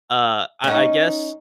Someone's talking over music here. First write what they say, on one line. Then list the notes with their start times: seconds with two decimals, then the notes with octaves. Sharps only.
Uh, I I guess
0.64 C#4 D#4